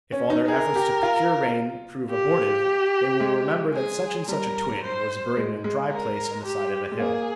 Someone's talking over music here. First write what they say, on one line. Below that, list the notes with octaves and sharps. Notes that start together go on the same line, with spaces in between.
If all their efforts to procure rain prove abortive, they will remember that such and such a twin was buried in a dry place on the side of a hill.
C#4
D#4
G#4 A#4
G4
F4
G4
G#3
G#4
G3 A#4
C5
G#3
G#3
A#4
G4
G#3
A#3 G#4